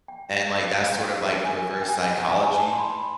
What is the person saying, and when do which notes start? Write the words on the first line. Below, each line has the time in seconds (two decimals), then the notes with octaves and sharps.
And, like, that's sort of, like, the reverse psychology
0.08 G5
0.99 G5
1.44 G#5
1.81 G5
1.88 G#5
2.19 G#5
2.43 G#5
2.49 A5
2.73 C6
2.79 B5